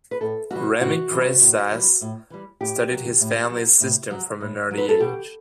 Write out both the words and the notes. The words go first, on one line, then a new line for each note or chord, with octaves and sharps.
Remy Presas studied his family's system from an early age.
B4
A2 A4
E3 G3 F#4
A2 F#4
E3 G3
A2
E3 G3
A2
E3 G3
A2 G4
F#3
A2
F#3
A2
F#3
A2
F#3
B4
A4
B2 G4